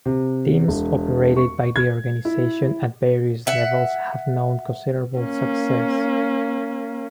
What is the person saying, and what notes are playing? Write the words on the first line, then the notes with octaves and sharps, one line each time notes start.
Teams operated by the organization at various levels have known considerable success.
C3
E1
C#6
G#6
E4
E5 F#5
A#3 C#4